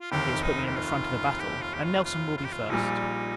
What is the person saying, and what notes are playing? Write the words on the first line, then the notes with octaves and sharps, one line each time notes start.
He has put me in the front of the battle, and Nelson will be first.
F4
F1 D#2 D#3 G4
D#4
G4
F4
G4
F4
G4
F4
F4
F4
G4
F4
A#1 A#2 G3 D#4